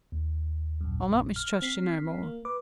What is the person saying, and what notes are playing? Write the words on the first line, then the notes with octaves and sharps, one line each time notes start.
I'll not mistrust yo' no more.
D#2
A#1 F#2
F6
C4 B6 C7
A#3
B4 D6